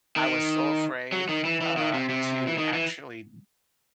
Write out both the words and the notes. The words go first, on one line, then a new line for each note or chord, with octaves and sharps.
I was so afraid, uh, to actually d
D#3
F#3
D#3
E3
E3
D#3
C3
C3
E3
D#3
E3